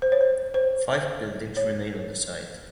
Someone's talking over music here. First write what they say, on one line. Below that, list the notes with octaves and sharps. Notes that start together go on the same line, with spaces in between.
Five buildings remain on the site.
C5
C#5
C5
C5
C#5